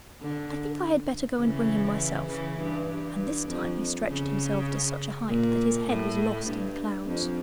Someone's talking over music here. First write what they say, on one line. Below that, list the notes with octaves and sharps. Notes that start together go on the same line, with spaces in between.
I think I had better go and bring him myself,' and this time he stretched himself to such a height that his head was lost in the clouds.
D3
C#3 E3
C#3 E3
G2
G2
F2
C#3
A#2
A2
G2
F2